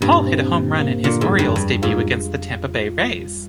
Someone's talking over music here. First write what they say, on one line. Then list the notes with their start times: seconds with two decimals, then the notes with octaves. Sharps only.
Hall hit a home run in his Orioles debut against the Tampa Bay Rays.
0.01 G2 A#2
0.27 C4
0.53 A#2
0.79 A#3
1.04 A#2 D3
1.21 G#2
1.30 F2
1.39 G2
1.56 G2 G3
1.82 G#2 F4